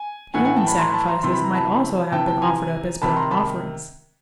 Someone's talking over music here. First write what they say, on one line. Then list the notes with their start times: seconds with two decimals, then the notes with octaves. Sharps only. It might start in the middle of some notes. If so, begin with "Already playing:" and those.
Human sacrifices might also have been offered up as burnt offerings.
Already playing: G#5
0.34 A2 E3 F#5 G#5
0.45 F#5 G#5
0.57 G5 A5
0.67 A5 B5
0.79 A#5 C6
0.93 A5 B5
1.08 A#5 C6
1.23 C3 E3 C6
1.33 B5
1.44 A#5
1.54 A5 B5
2.12 C3 E3 G5 A5
2.27 G5 A5
2.42 G#5 A#5
3.02 C3 D#3 A5 B5
3.16 A#5 C6
3.31 A5 B5